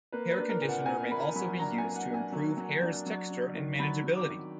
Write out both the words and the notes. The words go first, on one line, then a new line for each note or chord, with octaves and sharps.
Hair conditioner may also be used to improve hair's texture and manageability.
A#3 B4
B4
D4
A#4
A#2
F#5
F#5
A#3 G#5
A#3 B5
F#3 B5
D4 A#5
G#5
A#3
F#5
D4
G#5
F#3
F#3
D4
F#3
D4
D#3
F#3 B5
F#3
D6
D#3